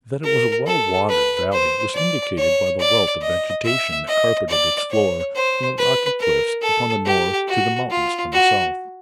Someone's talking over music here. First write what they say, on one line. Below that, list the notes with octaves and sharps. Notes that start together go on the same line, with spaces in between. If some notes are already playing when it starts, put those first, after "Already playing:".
That it was a well-watered valley was indicated by the wealth of vegetation that carpeted its floor from the rocky cliffs upon the north to the mountains on the south.
A#4
A4
B4
C5
D5
C#5
D5
D#5
E5
D#5
D5
C#5
C5
B4
A#4
A4
G4
F#4
F4
F#4